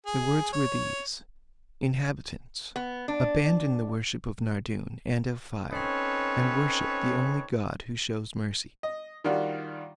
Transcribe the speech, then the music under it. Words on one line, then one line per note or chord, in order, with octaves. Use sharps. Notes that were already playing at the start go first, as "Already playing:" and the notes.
The words were these: Inhabitants, abandon the worship of Nardoun, and of fire, and worship the only God who shews mercy.'
G#4
C#5
B3
D4
C4 C#4 D#4 A4 B4 C#5
D#5
D#3 G3 D4 F4 F#4